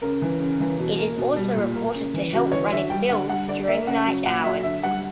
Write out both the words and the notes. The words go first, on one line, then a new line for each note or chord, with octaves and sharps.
It is also reported to help running mills during night hours.
C#3 A#4
E3
C#3
E3
B2
A#3
B2
G3
A#2
A#3
C#3
E3
C#3 F#4
E3 C#5
D3 E5
G3 G5
D3 F#5
G3 F#5
D3 D5
A#3 E5
C#3 F#5
F#3
A#2 F#5
F#3 E5
D3 E5
G3 F#5